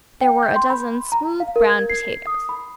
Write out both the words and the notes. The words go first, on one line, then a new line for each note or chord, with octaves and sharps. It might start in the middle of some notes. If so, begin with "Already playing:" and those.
There were a dozen smooth, brown potatoes.
G5
G6
C6
B5
A#5
F5
A#4
G#6
C7
D#6
B5